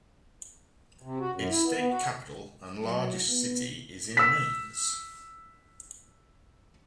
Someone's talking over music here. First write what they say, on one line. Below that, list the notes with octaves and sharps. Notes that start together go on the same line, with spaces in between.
Its state capital and largest city is Mainz.
C3
F#4
F#2
E4
B3
B3
F#4
F#3
B3
E6 B6